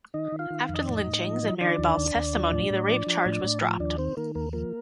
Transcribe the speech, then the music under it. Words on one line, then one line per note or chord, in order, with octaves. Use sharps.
After the lynchings, and Mary Ball's testimony, the rape charge was dropped.
D#3 D#4 D#5
D#3
F4 F5
D#3
F5
F2
D#5
A2 D5
D#4 D#5
A2
F3
F3
D#3 D4 D5
D#2
D#2
D#2
F3
A2
A2
F3
F3
A2
A2
F3
D#2 D4 D5
D#3 C4 C5
D#3 A#3 A#4
D#2 A#3 A#4
F3 A#3 A#4